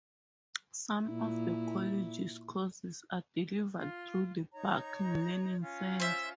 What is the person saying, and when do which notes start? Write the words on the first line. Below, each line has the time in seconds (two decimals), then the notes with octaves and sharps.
Some of the college's courses are delivered through the Barking Learning Centre.
1.05 A#2 E4
3.77 F4
4.53 D#4 C#5 A#5
5.62 C#4 F4
6.00 C5 E5